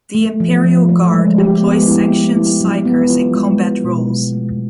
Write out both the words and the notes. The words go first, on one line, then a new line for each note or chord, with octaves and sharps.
The Imperial Guard employs sanctioned psykers in combat roles.
A3
F3
F3
A3
G#3
G4
B3
E4
B3
E4
F#3
B3
F4
G#3
G#3
B2
F#3
A3